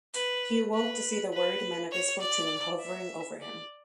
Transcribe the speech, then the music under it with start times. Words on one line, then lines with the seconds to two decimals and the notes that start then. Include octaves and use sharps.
He awoke to see the worried men of his platoon hovering over him.
0.14 B4
0.74 B4
1.34 B4
1.92 C#5
2.21 D5
2.81 E5
3.41 D5